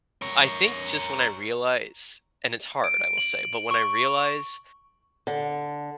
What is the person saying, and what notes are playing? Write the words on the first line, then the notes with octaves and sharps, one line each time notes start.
M I think just when I realize and it's hard, I will say, but when I realize
A#4 C#5
D7
F#7
C#6
D3